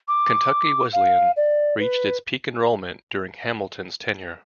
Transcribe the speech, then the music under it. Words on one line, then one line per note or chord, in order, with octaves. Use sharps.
Kentucky Wesleyan reached its peak enrollment during Hamilton's tenure.
D6
F5
D5
B4